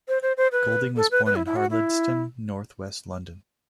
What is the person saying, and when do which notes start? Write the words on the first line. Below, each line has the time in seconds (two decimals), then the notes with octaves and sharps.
Golding was born in Harlesden, North West London.
0.08 C5
0.22 C5
0.37 C5
0.52 B4
0.96 A4
1.11 B4
1.26 B4
1.36 E4
1.46 E4
1.56 F#4
1.70 E4